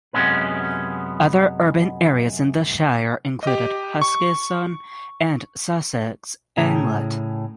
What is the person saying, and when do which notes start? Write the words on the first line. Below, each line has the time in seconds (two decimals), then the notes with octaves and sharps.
Other urban areas in the shire included Huskisson and Sussex Inlet.
0.13 F#2 C3 G#3 B3 C#4 B4
3.43 G4 D#5
4.02 C#6
6.57 A2 C#3 G#4 A#5